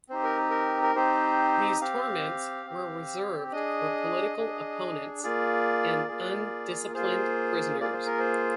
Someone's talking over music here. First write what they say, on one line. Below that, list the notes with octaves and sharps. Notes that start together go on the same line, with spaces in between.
These torments were reserved for political opponents and undisciplined prisoners.
C4 D#4 G4 C5
A#4
A#4
A#4
C4 D#4 G4 C5
C4 G4 F5
C4 G4
D4 G#4 D#5
D4 G#4
A#3 F4 G#4 D5
A#3 F4 G#4
A#3 F4 G#4 C5
A#3 F4 G#4 D5
C5
A#4
C5